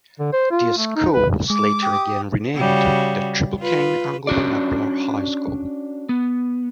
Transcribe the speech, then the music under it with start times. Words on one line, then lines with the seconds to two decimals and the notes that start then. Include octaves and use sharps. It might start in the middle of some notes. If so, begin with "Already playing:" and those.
The school was later again renamed "The Triplicane Anglo-Vernacular High School".
0.19 D3
0.33 C5
0.51 F4
0.78 A3
0.96 D#4
1.14 B4
1.50 G#3 D6
1.82 G4 D#6
2.56 C#3 G3 F#4
3.60 F4 B4
4.27 C#4 D4 F#4 D5
6.09 B3